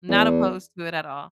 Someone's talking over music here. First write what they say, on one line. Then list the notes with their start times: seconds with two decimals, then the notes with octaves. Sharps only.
Not opposed to it at all.
0.09 E2